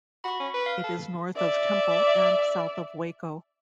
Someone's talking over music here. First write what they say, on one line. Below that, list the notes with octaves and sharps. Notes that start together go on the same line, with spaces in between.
It is north of Temple and south of Waco.
F#4 B5 C#6
C#4
B4
F5
A4
D5 E5